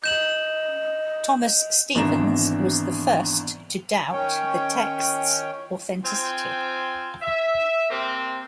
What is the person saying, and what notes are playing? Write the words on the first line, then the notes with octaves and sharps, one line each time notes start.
Thomas Stephens was the first to doubt the text's authenticity.
D#5 G6 E7 F#7
G#1 B2 E3 D4 A#5 E7
D#3 C#4 C#5 G5
C4 F4 C5 G5 G#5
E5
C3 A#3 C4